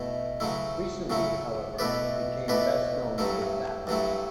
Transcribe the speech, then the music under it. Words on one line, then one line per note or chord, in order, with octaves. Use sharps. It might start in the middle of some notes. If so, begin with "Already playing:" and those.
Recently, however, it became best known for its apples.
Already playing: B2 A3 E4
C#3 F#3 A3 E4
C#3 F#3 A3 E4
B2 A3 E4 B4 D5
B2 A3 E4 B4 D5
G2 F#3 A3 E4
G2 F#3 A3 E4